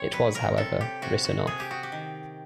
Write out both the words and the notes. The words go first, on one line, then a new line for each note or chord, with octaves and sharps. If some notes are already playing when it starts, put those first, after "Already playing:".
It was however written off.
Already playing: C4 C#5
F#3 B4
A#4
C3 A4
G4
C3 F#4
F#4
C3 G#4
G4
F#4
G4
D#3